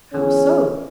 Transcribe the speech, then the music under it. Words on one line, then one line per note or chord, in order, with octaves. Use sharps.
How so?
A#1 E2 C#4 G#4